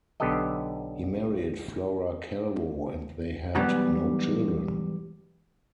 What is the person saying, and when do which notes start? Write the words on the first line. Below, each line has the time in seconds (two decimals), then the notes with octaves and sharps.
He married Flora Calvo and they had no children.
0.20 B1 D3 B3 G4 A4 D#5
3.55 E2 G#2 B2 F#3 G3 B3